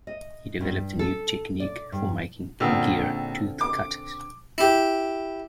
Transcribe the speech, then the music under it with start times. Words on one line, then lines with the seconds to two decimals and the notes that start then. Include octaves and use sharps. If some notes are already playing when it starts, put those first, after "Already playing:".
He developed a new technique for making gear-tooth cutters.
0.07 D#5
0.61 G2
0.99 A4
1.60 D5
1.92 G2
2.60 A#1 D3 C4 C#4 E6
3.61 D6
4.58 E4 G4